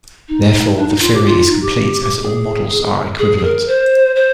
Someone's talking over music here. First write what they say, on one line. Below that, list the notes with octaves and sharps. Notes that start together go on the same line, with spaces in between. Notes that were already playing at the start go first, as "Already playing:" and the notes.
Therefore, the theory is complete as all models are equivalent.
D#4
D4
D#4
F4
G4
F4
F4
D#4
G4
G#4
G#4
G#4
A#4
C5
C5